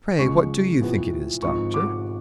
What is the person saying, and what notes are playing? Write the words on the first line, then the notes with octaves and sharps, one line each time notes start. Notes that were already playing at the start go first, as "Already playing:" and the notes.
"Pray, what do you think it is, doctor?"
C#2 C#3 G#3 C#4 C#6
B1 A2 F3 B3
G#1 G#2 F3 C#6
D6